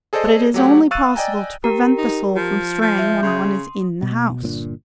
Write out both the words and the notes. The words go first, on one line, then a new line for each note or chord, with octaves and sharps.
But it is only possible to prevent the soul from straying when one is in the house.
G#4 A4 C5 D5 D#5
F#3 A3 G4 C#5 F#5
F5 C#6 E6 F#6 A6 D#7
D5 D#5 G5 G#5 A#5
G4 A#4 A#5
D#4
F3
F3
E5 G6
C#3 C6 D#6
B2
G1 A#2 C4 D4